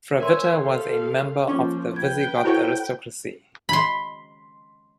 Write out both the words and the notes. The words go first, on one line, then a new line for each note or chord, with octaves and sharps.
Fravitta was a member of the Visigoth aristocracy.
A#4 C#5 E5 G#5 C6
G4 A4 F5
F3 A#3 C#4 C#6 D6
B4 G5 G#6
E4 F#4 A4 C5 C#5
B5 C6